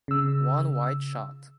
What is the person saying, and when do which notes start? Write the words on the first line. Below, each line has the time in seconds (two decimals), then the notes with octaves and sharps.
One wide shot.
0.08 C#3 E6